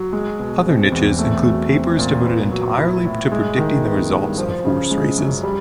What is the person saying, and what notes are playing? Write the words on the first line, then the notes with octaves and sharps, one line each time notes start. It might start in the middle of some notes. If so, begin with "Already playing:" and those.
Other niches include papers devoted entirely to predicting the results of horse races.
Already playing: F#3
G#3
B2
C4
E2
A3
F#3
C4
A#2
B3
F#3
E4
A2
G#3
D#3
B3
G2
F3
C#3
G#3
F#2
G3